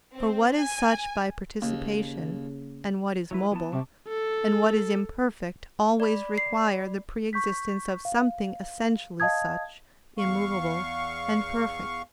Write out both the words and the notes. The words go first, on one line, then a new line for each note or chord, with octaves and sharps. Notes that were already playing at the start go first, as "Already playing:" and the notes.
For what is such by participation, and what is mobile, and what is imperfect always requires the pre-existence of something essentially such, immovable and perfect.
C4
G#5
D#2 C#3 A#3
F#3 E4 B4
E3 B3 A5
C3 A5 C#6 D6
A4
D5 B5
C7
C#6 G6 B6
F5
D#5 F5 A5 D#6 G#6
E2 F5 C#6